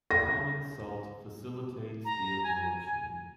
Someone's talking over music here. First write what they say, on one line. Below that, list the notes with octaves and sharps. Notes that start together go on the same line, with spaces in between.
Common salt facilitates the absorption.
A#6
A#5
G#5